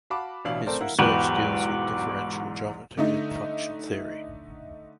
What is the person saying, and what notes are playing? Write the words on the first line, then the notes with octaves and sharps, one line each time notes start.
His research deals with differential geometry and function theory.
F#4 F5 A5 B5 D6
A1 B2 D4 E4 F5 F#7
A3 C4 A4 A#4 C5 D5
E4 A#4 F5 F#5
B1 E2 G#2 F#4 G4 B4
D3 A3 D#4